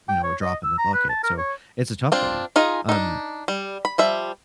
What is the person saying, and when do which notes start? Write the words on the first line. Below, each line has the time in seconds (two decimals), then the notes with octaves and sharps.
you know, a drop in the bucket, so, it's a tough one, um
0.09 G5
0.24 C#5
0.42 D#5
0.64 E6
0.78 A#5
0.94 B4
1.09 A5
1.24 A#4
1.38 C#5
2.12 C4 D4 F4
2.56 D#4 F4 G#4 D#5
2.89 D4 D#4
3.48 G3
3.85 B5
3.98 F3 G3 E5